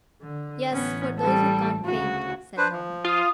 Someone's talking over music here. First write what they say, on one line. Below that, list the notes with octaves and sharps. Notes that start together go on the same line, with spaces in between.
"Yes, for those who can't paint," said Naumann.
D3
A1 B3 C#4
G3 A4
D2 C#3 F#4
D4 B4 C5
F3
F4 D#6